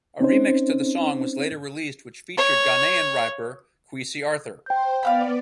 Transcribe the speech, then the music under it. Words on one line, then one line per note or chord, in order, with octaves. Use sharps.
A remix to the song was later released which featured Ghanaian rapper Kwesi Arthur.
C4 C#4 D#4 C5
C#5
C5 G5 G6
B3 D5 F5 F#5 B5